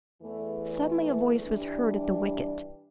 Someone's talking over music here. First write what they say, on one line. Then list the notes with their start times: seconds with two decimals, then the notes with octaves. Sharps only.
Suddenly a voice was heard at the wicket.
0.22 E2 E3 A3
1.43 G2 E3 G3 D4